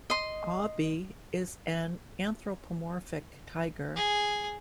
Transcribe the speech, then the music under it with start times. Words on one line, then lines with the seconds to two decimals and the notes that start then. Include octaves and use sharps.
Aubie is an anthropomorphic tiger.
0.10 D#5 C6
3.96 G#4